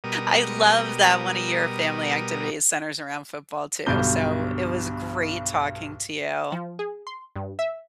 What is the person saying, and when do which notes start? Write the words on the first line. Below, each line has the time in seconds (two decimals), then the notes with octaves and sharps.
I love that one of your family activities centers around football too. So it was great talking to you.
0.04 B2 G3 A#4 D#6
3.86 B1 G2 B2 D3 G6 G7
6.52 F3
6.79 G#4
7.07 C6
7.36 G2
7.59 E5